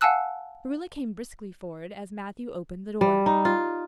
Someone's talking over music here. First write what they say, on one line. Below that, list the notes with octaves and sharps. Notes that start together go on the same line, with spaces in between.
Marilla came briskly forward as Matthew opened the door.
F5 F#5 G#5 A5 E6 F#6
G3
D#4
F4